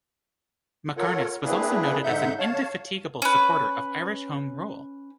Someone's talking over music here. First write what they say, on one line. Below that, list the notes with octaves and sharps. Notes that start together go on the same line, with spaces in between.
Mackarness was also noted as an 'indefatigable' supporter of Irish Home Rule.
F4 A4 A#4 C#5 F#5
A#3 C4 D4 E4 G#4 B4
G#2 D3 D#4 E5 F#5 G6
C#5 F5 A5
C#4 B4